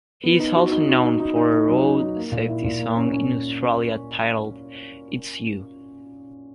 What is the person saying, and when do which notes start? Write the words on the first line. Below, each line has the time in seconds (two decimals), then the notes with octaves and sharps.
He is also known for a road safety song in Australia titled "It's You".
0.23 B3
0.40 D#4
0.56 F#4
0.72 D#4
0.88 F#4
1.04 D#4
1.20 D#4
1.36 D#4
1.52 D#4
1.68 F#3
1.84 D#4
2.00 D#4
2.16 A#3
2.32 A#2
2.48 E4
2.64 A#2
2.80 A#3
2.96 C#4
3.12 C#4